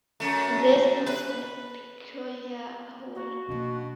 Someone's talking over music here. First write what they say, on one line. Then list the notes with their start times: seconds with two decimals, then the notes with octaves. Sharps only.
This puts me in a peculiar hole.
0.20 F#2 A3
1.06 B4
3.15 A#3 F#4
3.49 B2 A#3 D4